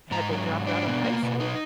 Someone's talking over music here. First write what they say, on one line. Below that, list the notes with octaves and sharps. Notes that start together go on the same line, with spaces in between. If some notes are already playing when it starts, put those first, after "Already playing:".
had they dropped outta high school?
G#2 A#5
F#3
G#2
D4
B2
A#3
B2
D#4